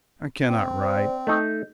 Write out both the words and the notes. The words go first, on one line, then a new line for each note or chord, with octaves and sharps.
I cannot write.
C4
C5 D5
A3 D#4 D#5 G6